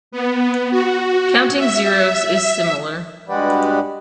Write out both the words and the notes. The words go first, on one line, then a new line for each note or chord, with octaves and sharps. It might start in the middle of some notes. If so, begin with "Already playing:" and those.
Counting zeros is similar.
B3
F#4
E5
G2 G#3 F#4 G4 B4 D5